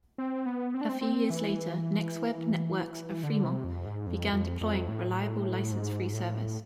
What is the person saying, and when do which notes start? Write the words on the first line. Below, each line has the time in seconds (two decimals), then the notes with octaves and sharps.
A few years later NextWeb Networks of Fremont began deploying reliable license free service.
0.18 C4
0.46 B3
0.74 C4
0.81 D4
0.89 C4
1.01 C4
1.30 E3
3.23 D3
3.44 C3
3.64 F2
3.85 G#2
4.07 F2
4.33 F2
4.61 F2
4.89 A2
5.71 G#2
6.14 A2